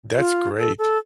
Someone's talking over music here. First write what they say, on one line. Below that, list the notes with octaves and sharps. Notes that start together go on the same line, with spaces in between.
That's great.
F4
A4
A4